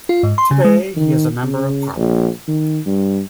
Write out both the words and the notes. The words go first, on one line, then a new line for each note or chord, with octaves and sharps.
Today he is a Member of Parliament.
F4
G#2
C6
C#3
G#3
D#3
C#3
A#1
D#3
G2